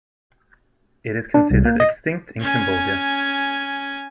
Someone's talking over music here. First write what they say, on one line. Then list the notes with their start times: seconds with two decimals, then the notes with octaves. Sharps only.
It is considered extinct in Cambodia.
1.34 D4
1.50 C2
1.65 A#3
1.80 D#5
2.40 C#4 G#5